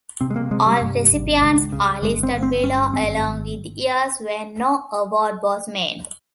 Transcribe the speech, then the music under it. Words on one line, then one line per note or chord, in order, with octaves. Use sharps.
All recipients are listed below, along with the years when no award was made.
C3 C4
G#3
A#3
C3 G#3
G3
G2
G#1
C#2
C#3
G1 G#3
C4
G1
C4
G2 C#4
G#1 C4